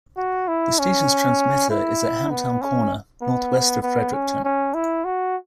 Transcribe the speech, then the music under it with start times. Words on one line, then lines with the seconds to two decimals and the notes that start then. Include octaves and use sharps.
The station's transmitter is at Hamtown Corner, north west of Fredericton.
0.17 F#4
0.48 E4
0.79 C#4
1.70 E4
2.30 B3
2.61 C#4
3.22 B3
3.83 B3
4.14 C#4
4.44 C#4
4.74 E4
5.05 F#4